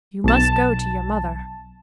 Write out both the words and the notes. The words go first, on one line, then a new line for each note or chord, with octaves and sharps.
"You must go to your mother."
B1 A5